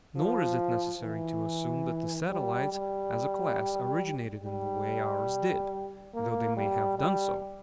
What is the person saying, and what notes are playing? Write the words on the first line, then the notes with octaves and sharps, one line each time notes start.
Nor is it necessary to assume that the satellites, as a class, originated in the way ours did; though they may have done so.
F3
E3
G3
G3
G3
A#3
G3
G3